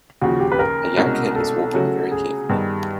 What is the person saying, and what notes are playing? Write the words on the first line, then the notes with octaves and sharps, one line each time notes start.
A young kid is walking very carefully.
D#2 C#3 F3 F#4
G4
B4
A#4
C2 B2 G#3 C#4 F#4
A4
C#3 F#3 A3 C#4 F#4
G#4
G2 D#3 G3 B3